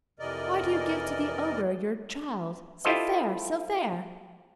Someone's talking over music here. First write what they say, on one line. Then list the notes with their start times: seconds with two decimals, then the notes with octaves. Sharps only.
Why do you give to the ogre Your child, so fair, so fair?
0.19 F2 C3 E3 A#4 D5 D#5
2.85 E4 F4 G4 A4 C5 D#5